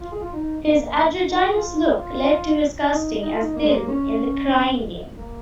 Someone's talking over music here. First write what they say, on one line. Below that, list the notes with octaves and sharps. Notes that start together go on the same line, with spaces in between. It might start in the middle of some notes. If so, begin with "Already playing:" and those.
His androgynous look led to his casting as Dil in "The Crying Game".
F4
G#4
F4
D#4
A#3
D#4
F4
G#4
F4
G#4
F4
D#4
D#4
F4
D#4
A#3
G#3
A#3
C#4
A#3